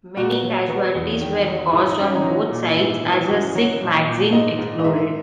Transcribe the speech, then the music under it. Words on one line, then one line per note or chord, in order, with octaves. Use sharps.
Many casualties were caused on both sides as a Sikh magazine exploded.
A#2 F#4
F#3
F#3 B3
E2
D#3
F#3
G#2 E4
D#4
F#3 C#4
D#4
F#3
A#2
G#2 E4
E3
F#2 F#4
F#3
A#2
A#2
G#2 D#5
G#2
D#5
G#2 E5